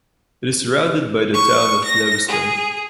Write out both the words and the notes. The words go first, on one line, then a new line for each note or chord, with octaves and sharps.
It is surrounded by the Town of Lewiston.
C#6
A#6
G#4